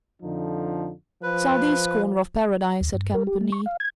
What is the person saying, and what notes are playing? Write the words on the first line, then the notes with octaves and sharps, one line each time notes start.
"Southeast corner of Paradise," said Campany.
F2 D3 F3 D#4
F3 B4
D#2
G2
A#4
G4
A3
C#6
F5
G#6